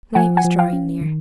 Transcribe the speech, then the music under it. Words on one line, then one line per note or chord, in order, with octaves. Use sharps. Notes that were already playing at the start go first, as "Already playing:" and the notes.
Night was drawing near.
F3 F#5 G#5
F#5 G#5
F3
F5 G5
C#4
D#3